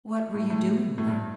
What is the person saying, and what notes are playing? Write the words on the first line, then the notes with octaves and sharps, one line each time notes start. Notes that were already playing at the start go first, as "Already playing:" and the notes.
"What were you doing, then?"
A2
A2
A2
G2